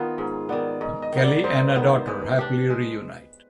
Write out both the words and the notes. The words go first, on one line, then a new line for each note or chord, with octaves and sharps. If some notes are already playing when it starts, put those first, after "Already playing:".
Kelli and her daughter happily reunite.
Already playing: D#3 B3 F4
G#2 G#4
D#3 B3 D5
G#2 D#5
D#5
D#3 B3
D5
G#2 C5
B4
D#3 B3
G#3 B4
D4 G4
G#3